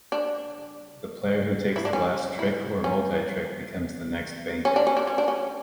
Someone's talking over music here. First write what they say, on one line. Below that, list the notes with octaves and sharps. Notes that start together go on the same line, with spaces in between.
The player who takes the last trick or multi-trick becomes the next banker.
D4
E4
D4
C#4
E4
C#4
C#4
D4
C#4
D4
C#4
D4
C#4